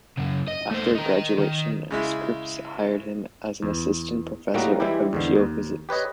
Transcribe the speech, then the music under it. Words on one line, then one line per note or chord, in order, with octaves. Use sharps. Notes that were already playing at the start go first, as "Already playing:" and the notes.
After graduation, Scripps hired him as an assistant professor of geophysics.
F#2 C#3
D#5
A3 C5
D#4 A#4
D#3
C#3 G#3 E4
E2
A2 G3 A#3 D#4 F#4 D#5
E3 G3 G#3 E4 G4
E2 G#2 D3
D#2
G4 B4 C#5 D#5